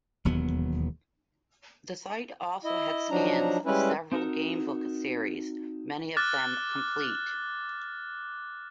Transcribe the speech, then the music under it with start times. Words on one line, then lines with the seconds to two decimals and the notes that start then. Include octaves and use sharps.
The site also had scans of several gamebook series, many of them complete.
0.25 E1 D#2 F#3 B3
2.64 E4 D#5
3.10 F3 F#3 D4 D#4 A#5
3.65 G3 G#3 C#4 E4 B4
4.12 C4 D#4 F#4 A4 A#4
6.17 D6 F6 F#6 A6